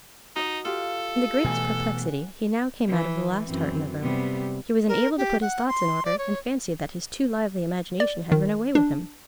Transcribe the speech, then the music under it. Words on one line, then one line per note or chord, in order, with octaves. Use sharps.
In the greatest perplexity, he now came out of the last heart in the row; he was unable to put his thoughts in order, and fancied that his too lively imagination had run away with him.
D#4 F#4 D#5
F4 G4 A4
B2 E3 A3 F#5 G#5
E3
F#2 E3 C4
C3 G3 B3
A#4
G4
F#5
C6
D5
C#5
D5
D#3
D4